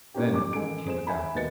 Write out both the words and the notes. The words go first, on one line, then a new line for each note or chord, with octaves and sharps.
Then came a doubt.
A#3 C#4 D#4 G4
F2 D6
A1 D#3 G#4 A4 G#5 D7
G#4 C5 E7
E5 G#5 B5
D#2 B2 B4 A6 C#7